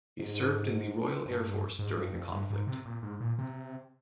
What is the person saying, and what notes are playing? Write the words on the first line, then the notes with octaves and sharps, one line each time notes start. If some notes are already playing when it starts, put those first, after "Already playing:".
He served in the Royal Air Force during the conflict.
G#2
G2
G#2
G2
F2
G2
G#2
C3
A#2
G#2
A#2
C3